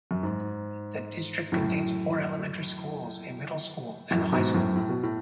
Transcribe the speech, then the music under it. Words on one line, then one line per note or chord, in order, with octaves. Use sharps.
The district contains four elementary schools, a middle school, and a high school.
F#2
G#2
F#2 A2
F#2 A2
G#2 B2
F#2 A2
A2
B2
A2